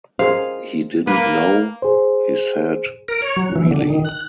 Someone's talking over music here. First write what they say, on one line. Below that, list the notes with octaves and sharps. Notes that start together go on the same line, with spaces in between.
He didn't know, he said, really.
G#4 A#4 C5 F5
A#3 B4
G#4 C5
A#4
C#5
F#3
E3
D3
D#3
F#6